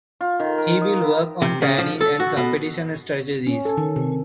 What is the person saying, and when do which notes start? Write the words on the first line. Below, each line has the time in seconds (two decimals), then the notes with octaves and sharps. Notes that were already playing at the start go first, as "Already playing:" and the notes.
He will work on planning and competition strategies.
0.21 F4
0.40 D#3
0.58 A#4
0.82 D#5
1.04 B4
1.42 C3
1.62 C#3
1.78 F3
2.01 A4
2.20 F#4
2.37 B2
3.47 C#4
3.65 A4
3.77 D#3
3.96 C3